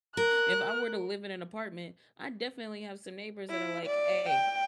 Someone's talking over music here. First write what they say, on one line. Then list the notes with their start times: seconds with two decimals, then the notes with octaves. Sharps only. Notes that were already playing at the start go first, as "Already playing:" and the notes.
if I were to live in an apartment, I'd definitely have some neighbors that are like, "Ay.
0.17 A#4 F#6
3.49 E4
3.86 D5
4.29 G5